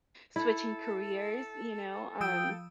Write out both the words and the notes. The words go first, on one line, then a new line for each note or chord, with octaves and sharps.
switching careers, you know, um,
E4 A4
F3 G5 D#6 E6